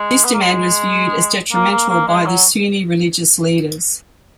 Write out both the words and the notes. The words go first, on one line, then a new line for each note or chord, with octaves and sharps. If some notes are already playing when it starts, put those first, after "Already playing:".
This demand was viewed as detrimental by the Sunni religious leaders.
Already playing: G#3
B3
A#3
G#3
A#3
A#3
A#3
G#3
F#3